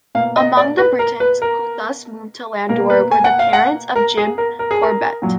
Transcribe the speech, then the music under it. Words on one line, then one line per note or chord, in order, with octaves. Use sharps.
Among the Britons who thus moved to Landour were the parents of Jim Corbett.
B2 A#3 F5
D#5
D5
B4
A#4
B4
A#4
B2 A#3 A#4
B4
G#5
F#5
F5
F#5
A#4
G#4
A#4
A#4
G#4
A#4
A#2 F#3